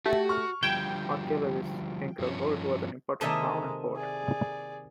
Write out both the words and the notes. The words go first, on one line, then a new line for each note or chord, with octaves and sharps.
Archaeologists think Rungholt was an important town and port.
A3 F#4 G4
C#6 F6
D3 F3 G3 G5 G#6 E7
G2 F3 C#4
C3 D#3 G#3 A#3 A4 D#5 E5 A#5
G#4 D5